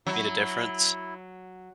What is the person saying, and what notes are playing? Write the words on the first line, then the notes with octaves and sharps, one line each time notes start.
Made a difference.
F#3 E4